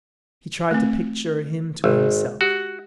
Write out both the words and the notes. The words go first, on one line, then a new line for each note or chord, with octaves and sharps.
He tried to picture him to himself.
A3 C4
G#1 G#3
F#4 G4